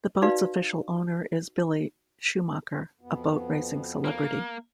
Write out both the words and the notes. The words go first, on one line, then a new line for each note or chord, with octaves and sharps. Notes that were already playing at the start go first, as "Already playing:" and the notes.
The boat's official owner is Billy Schumacher, a boat racing celebrity.
D#4 F#4 B4 D5 F5
F2 B2 B3
A#3